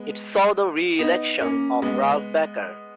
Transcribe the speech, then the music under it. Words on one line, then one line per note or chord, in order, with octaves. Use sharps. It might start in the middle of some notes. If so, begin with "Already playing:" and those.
It saw the reelection of Ralph Becker.
Already playing: G#3 B3
B3 D#4
A#3 C#4
G#3 B3